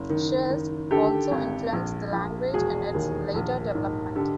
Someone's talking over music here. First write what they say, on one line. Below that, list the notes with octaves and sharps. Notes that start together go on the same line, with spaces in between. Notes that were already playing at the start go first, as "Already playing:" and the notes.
Czech also influenced the language in its later development.
Already playing: F#1
D#3
D#3
D3 G4 A4
G#1
A#1
A#1
E1 F#4 G#4
D#2
A#1
G#2
D3 G4 A4